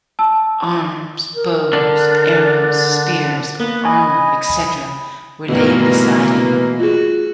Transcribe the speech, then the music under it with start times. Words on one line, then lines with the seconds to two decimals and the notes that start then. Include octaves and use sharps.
Arms - bows, arrows, spears, armour, etc - were laid beside him.
0.19 A5 E6
1.35 A#4
1.73 D3 D4
3.60 A#3 B3
3.85 D#5 G#5 B5
5.49 G2 B2 D#3 E3 A3 A#3
6.79 F4 F#4 G#4